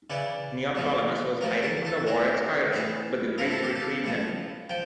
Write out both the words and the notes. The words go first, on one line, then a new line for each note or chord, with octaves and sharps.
Neoptolemus was hiding from the war at Scyrus, but the Greeks retrieved him.
C#3 E3 D5
A2 F3
A2 F3 A#4
A4
A4
A2 E3 A#4
A2 E3
A2 F3 A#4
A4
G4
A4
A2 F3
F3 G5